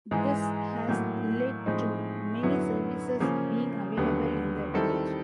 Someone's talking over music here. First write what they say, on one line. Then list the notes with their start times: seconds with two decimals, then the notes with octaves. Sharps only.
This has led to many services being available in the village.
0.11 G#2 E3 G#3
0.88 A2 F#3 A#3
1.66 A2 F3 G#3 C4 D#4
2.43 F#2 D3 F#3 B3 E4
3.20 C#3 F3 A#3 C#4
3.97 D#2 D3 F#3 B3
4.74 D#3 G3 C4 E4 A4